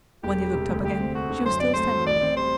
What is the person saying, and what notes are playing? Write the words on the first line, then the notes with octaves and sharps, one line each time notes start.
When he looked up again she was still standing there.
E1 G4
G3
C3
D2
D2 G4
C4
A3 F#4
D3
F#2 C5
C4 D5
A3 C5
F#3
A1 D5
C4
G3 C5